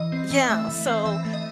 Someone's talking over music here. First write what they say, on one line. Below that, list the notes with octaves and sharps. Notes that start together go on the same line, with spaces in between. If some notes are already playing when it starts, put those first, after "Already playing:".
Yeah, so,
Already playing: E3 D#5
C4
E3
A3 E5
E3
C4
E3 E5
A3
D#5